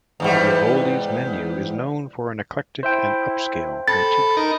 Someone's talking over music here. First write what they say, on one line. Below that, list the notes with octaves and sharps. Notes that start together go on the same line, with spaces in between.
The Rivoli's menu is known for an eclectic and upscale motif.
E2 G#2 G3
E4 C5 E5 G5
A4 B5 A6
D#4 A#4